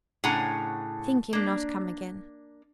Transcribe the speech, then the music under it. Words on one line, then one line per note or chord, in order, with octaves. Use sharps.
Think him not come again.
A2 C#3 D4 F#5 G#5 A#5
A#3 D4